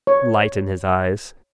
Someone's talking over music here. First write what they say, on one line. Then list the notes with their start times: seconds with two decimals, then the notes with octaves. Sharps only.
Light in his eyes.
0.07 C#5